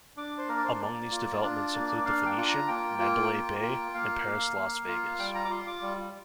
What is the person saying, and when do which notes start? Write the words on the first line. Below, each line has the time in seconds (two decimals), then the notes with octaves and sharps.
Among these developments include The Venetian, Mandalay Bay, and Paris Las Vegas.
0.17 D4 D6
0.38 C5
0.48 A#3 A#4
0.58 D5
0.65 C5
0.80 A#3 D5
1.11 F4
1.43 D4
1.75 A#3
2.05 D4 F5
2.26 G5
2.37 F4
2.48 A#5
2.68 A#3 G5
2.99 F4
3.31 A#3
3.62 F4
3.94 A#3 F5
4.25 A#3
4.57 A#3
4.88 F4
5.19 G3 G5
5.35 A#5
5.45 D6
5.50 F4 C6
5.67 D6
5.82 G3